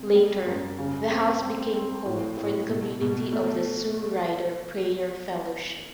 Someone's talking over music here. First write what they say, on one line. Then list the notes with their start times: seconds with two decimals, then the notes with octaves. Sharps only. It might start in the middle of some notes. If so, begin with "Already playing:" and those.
Later the house became home for the Community of the Sue Ryder Prayer Fellowship.
Already playing: C3
0.15 G3
0.46 F#2
0.79 C#3
1.10 C4
1.42 C4
1.74 C4
2.06 A2
2.37 A2
2.69 B2
3.01 B2
3.32 A3